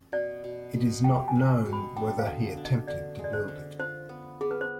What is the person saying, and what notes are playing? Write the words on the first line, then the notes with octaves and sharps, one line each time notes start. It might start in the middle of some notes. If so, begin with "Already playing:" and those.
It is not known whether he attempted to build it.
B2 D5
B2
B2
G3 G5
G#5
C4
B2
B5
D4 G5
G5
F5
D3
D4
D#5
D3 D5
G#3
D5
C5
D3
F4 C5
B3
B3 G#4
B4
C5